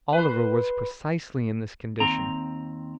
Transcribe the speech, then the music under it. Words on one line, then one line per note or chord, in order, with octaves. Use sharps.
Oliver was precisely in this condition.
B4 C5
D#2 C4 A#5